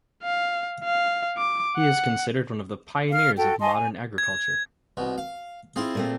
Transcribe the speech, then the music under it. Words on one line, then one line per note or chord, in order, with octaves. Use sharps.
He is considered one of the pioneers of modern agriculture.
F5
F5
D6
F#5
F5 F6
F#4 A4 G5
D#5 G#5 A5 C6
G#5
G#6
C2 B2
F5
C4 E4 F4 G#4
A#2 A3 C4